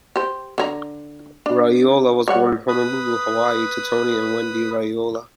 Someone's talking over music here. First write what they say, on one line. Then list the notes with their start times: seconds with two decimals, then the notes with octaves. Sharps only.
Raiola was born in Honolulu, Hawaii, to Tony and Wendy Raiola.
0.16 G4 C5
0.58 D3 G4 A#5
1.46 D4
2.28 G3 C#5 F#5
2.68 B4 B5 D#6